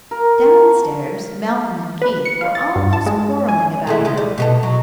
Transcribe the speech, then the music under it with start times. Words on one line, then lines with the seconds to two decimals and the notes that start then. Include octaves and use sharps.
Down-stairs, Malcolm and Keith were almost quarrelling about her.
0.11 A#4
0.53 A5 C#6
2.02 B4
2.25 C#7
2.41 F5
2.55 A6
2.76 G2
2.93 A5
3.06 G#3
3.48 G#5
3.87 G#3 A3 E4
4.05 C#3 G#3
4.17 G3
4.38 B2 G4 A4
4.63 F#3